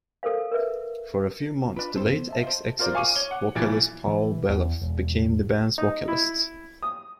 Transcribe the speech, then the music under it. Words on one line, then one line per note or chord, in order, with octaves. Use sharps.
For a few months the late ex-Exodus vocalist Paul Baloff became the band's vocalist.
A4 A#4 C5 F5
A#4 B4 E5
D4 F4 B4 B5
F#2 C4 A4 C5
E3 B3
D#5 E5 A5
F4 C5
F4 A#4 C5 D5
F5 G#5 C#6 D6 D#7
C#5 G7
F#5
B1 A#2 E3 G#6 A6 D7
E3
E2
E1
D#4
E4
D#6